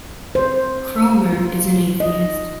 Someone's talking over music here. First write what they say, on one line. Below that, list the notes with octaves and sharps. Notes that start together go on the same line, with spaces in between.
Kroemer is an atheist.
C5
F4
D#5